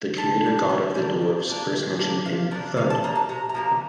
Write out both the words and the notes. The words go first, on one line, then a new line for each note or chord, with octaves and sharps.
The creator god of the dwarfs, first mentioned in "Thud!".
D#3 A5
G3 A#3 D4
D#3
G3 A#3 D4
D#3
G3 A#3 D4
D#3
G3 A#3 D4
C3 F5
F3 A#3 D4
C3 F5
A5
F3 A#3 D4 A#5
A5
C3 A#5
A#5
F3 A#3 D4